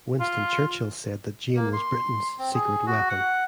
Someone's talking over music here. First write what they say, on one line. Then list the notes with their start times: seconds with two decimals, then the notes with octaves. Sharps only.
Winston Churchill said that Jane was Britain's "secret weapon".
0.20 F4
1.56 A#3
1.73 C6
2.39 C4
2.55 G#4
2.87 F#4
3.09 F#5